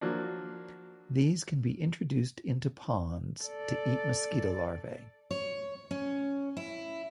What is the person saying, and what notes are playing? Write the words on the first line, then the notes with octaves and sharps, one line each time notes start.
These can be introduced into ponds to eat mosquito larvae.
F3 F#3 A#3 D4
A4 D5
C#5
C#4
E4